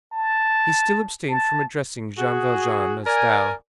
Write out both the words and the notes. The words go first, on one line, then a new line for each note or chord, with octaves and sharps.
He still abstained from addressing Jean Valjean as thou.
A5
A5
F#4 G#4
A#4 D5 G#5